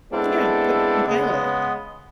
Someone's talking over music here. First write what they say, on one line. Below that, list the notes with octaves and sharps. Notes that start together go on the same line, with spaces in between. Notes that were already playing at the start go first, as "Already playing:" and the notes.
Yeah. Put compile it.
G#3 B3 C4 D4 E4 A4
C#3 G#3 B3